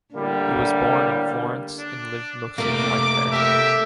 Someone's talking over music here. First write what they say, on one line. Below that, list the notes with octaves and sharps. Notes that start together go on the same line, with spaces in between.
He was born in Florence and lived most of his life there.
A2 D3 G3 A#3
D4
C3 A3 A#3 D6
G4 A4 A#4 E5